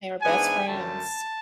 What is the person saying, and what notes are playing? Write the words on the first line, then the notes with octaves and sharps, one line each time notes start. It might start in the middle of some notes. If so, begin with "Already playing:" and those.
They were best friends.
G#2 E3 B3 D4 G#5
F#2 D3 F#3 A3 A5